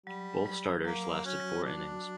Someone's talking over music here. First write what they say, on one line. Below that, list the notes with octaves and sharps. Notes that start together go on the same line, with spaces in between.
Both starters lasted four innings.
F#3 G3
F#3
F#3 A#3
C#4 F#4
D4 F#4